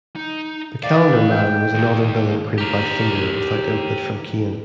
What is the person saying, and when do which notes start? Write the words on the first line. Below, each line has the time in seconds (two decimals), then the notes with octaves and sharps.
The Calendar Man was another villain created by Finger without input from Kane.
0.16 D#4
0.84 D5 D#5 F5
1.31 G5
1.74 D#2
2.58 G4 A#4